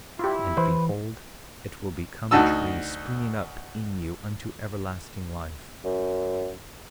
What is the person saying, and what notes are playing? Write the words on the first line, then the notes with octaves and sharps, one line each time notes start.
And behold, it will become a tree, springing up in you unto everlasting life.
E4 F4 G4
E3 B4 C5
D2 D#4 F#4 A5 E6
F#2